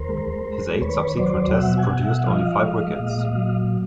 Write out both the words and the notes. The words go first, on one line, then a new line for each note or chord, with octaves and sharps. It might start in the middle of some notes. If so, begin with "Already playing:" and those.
His eight subsequent Tests produced only five wickets.
Already playing: D#2 A#4 C5
G#3
G#3
D#2 B4 C#5
F#3 C5 D5
B2 E5 F#5
F#5 G#5
B2
E5 F#5
F#5
F3 D#5 F5
G#3
A#2
F#3